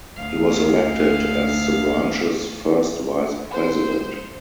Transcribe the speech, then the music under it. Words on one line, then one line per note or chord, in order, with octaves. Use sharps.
He was elected as the branches first Vice President.
D2 F5
C5